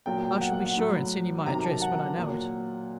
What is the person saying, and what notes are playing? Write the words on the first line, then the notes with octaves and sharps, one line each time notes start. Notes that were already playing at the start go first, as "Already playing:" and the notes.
I shall be sure and send you my address when I know it.'
A#2 F#3 G5
G5
F#5
F#5
F#5
A2 F#3
C3 D#3 F#3 A#5
A5
F#5
A#2 F#3